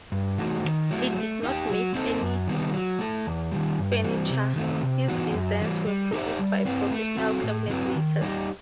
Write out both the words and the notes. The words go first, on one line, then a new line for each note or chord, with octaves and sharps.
He did not make any furniture; his designs were produced by professional cabinet makers.
G2
E3 A3 D#4 F#4
D#3
F#3 A3 E4
A3
D#4 G4
F#3
C4 D#4 A4
F#2
D#3 G3 B3
F#3
A3 E4 A4
E2
D#3 G3
G2
E3 G3 C4
C3
D#3 A3 C4
C3
E3 B3 D#4 F#4
F#2
E3 G3
G3
D#4 G4 C5 E5
G3
C4 E4 B4
A3
C4 F#4 A4
A2
F#3 C4 E4 B4
D#3
G3 D#4 G4 D#5